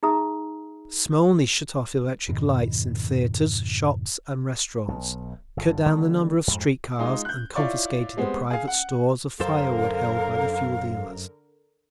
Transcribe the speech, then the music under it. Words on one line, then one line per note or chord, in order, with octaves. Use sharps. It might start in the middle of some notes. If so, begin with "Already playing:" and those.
Smolny shut off all electric lights in theatres, shops and restaurants, cut down the number of street cars, and confiscated the private stores of fire-wood held by the fuel-dealers....
D#4 G#4 E5 A#5 D#6
F2 G#2 B2 D#3
B1
G1 G2
D3 D#3 G#3 B3
F2 G#2
G#3 D#4 F4
F#6 G6
E4 F4 C#5 D5 C#6
G3 G#3 B3 C4
G#4 F5
F#5
F#2 D3 A4 A#4 C5 F5